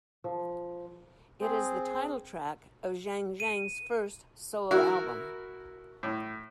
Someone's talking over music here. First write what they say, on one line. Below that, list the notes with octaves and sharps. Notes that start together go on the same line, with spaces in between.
It is the title track of Xiang Xiang's first solo album.
F3
C4 G#4 C5
D#7
E4 F#4 A#4
A2